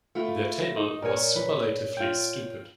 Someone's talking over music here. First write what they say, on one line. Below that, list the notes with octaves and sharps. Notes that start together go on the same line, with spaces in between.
Their table was superlatively stupid.
A3 E4 F4
D#4
A#2 A#4 C#5 G#5
B4
F4 G5